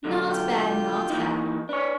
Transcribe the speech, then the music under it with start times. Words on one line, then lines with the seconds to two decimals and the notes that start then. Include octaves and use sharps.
Not bad, not bad.
0.04 B2 D3 F#3
0.30 F4 G4 G6
1.10 E3 A#3 D#4
1.69 D4 B4 C#5